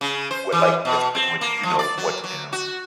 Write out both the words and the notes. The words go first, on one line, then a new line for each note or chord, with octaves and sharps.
what, like, with with which you know what to do
C#3
C5
E3
B2
C4
A#3
F3
D5
F#3
F#3
F#4